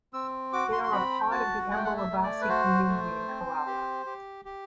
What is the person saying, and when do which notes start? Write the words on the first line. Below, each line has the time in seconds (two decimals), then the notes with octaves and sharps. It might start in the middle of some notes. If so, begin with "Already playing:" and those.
They are a part of the Ambalavasi community in Kerala.
0.13 C4 E6
0.53 F#4 D6
0.73 C6
0.83 C6
0.92 C4 B5
1.20 G5
1.31 F#4 A5
1.70 A3 F#5
1.77 G5
1.85 F#5
1.97 E5
2.10 A3
2.23 D5
2.41 B4
2.49 F#4 C5
2.88 A3
3.28 C4
3.67 G4
4.06 G4
4.45 G4